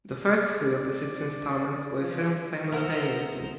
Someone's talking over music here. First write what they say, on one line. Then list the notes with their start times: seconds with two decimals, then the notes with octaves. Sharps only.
The first three of the six installments were filmed simultaneously.
0.21 D5
1.98 F3
2.72 A#4 C5 E5 F#5 A#5 D#6